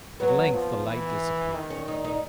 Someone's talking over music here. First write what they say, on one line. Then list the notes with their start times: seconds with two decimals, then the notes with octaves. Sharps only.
At length the light disappeared.
0.20 F#3 B3
0.54 F3
0.86 E3
1.54 D#3
1.70 C#4
1.88 D#4
2.04 D#4